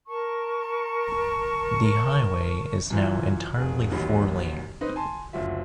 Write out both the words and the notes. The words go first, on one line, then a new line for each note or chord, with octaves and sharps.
The highway is now entirely four lane.
A#4 A5 C#6
F#2 E3 F4
F1 G#4
A1 D#2 A#2 F#3 D#4 B5
C4 D#4 B4 D#5
G#5 A5 C6
F#1 D2 F#3 F4 E5